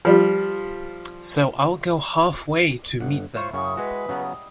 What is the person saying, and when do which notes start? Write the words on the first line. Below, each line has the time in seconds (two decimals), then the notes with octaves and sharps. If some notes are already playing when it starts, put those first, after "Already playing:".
So I'll go halfway to meet them.
0.05 F3 G3
3.00 G1 F#5
3.36 E4 F4 C5 C#5 C#6 D6
3.53 F#2 C#3 G#4 G5 C#6
3.77 G#3 F#4 B4
4.09 C#3 F#3 G3 B3 D#5